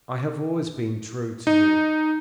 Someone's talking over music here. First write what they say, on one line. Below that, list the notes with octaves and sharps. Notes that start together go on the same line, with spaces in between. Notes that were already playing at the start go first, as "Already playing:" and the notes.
I have always been true to you.
D#4